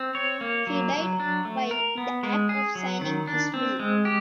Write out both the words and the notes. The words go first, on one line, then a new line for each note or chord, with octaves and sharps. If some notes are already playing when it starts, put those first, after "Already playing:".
He died while in the act of signing his will.
Already playing: C4
C#5
A#3
F#3
F#3
D4
A3
A#4
B3
G#3
G#4
F#3
D#3
D4
C4
G#3
G4